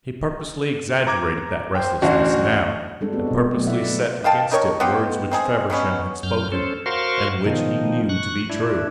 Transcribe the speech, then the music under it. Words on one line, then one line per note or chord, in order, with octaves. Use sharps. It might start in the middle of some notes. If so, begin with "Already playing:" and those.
He purposely exaggerated that restlessness now, and purposely set against it words which Feversham had spoken and which he knew to be true.
A#5 D6 G#6
C5 G5
A1 D2 C#4 F#4 F#5
G3 G#3 C4 D4 A4
B3 C4 F#4
B2 D#5
F#3 A3 B3
E4 D5 E5 F#5
D#3 F5 G5 A5
D#4 A#4 C#5 C#6
B3 D#4 F4 G4
C4 D#4 G#4
B2 F#3 B3 C#4
F#2 F6 G6
C#4 A4 C5
F#4 A#4 C5 F5 C6 C#6
B2 D#3 F3 D#4
C#6 F#6
D4 E4